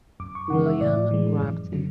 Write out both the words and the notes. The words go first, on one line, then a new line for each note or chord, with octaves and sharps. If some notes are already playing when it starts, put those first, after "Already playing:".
William Robson.
F#2 D6
C#6
C#3 E3 G#3 F#5
E5
A2 D5
E3 G#3
F#2
D3 F#3